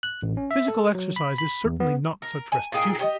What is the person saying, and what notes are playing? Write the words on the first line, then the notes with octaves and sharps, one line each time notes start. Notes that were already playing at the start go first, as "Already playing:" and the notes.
Physical exercise is certainly not such restitution.
F#6
A1
C#4
E5
A4
F#3
B5
B5
E2
B3
A#4
G#5
A#2 D#4 G#4 G5
G4 C#5 D#5